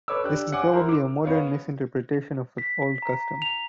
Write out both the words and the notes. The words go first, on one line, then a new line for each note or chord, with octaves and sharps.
This is probably a modern misinterpretation of the old custom.
A4 B4 C#5 D6 E6
D4 G4 F#6
C#5 F#5 G#5 D6
E4 A#4 C5
D6
B3 C#5 F5
B6
A#5
F7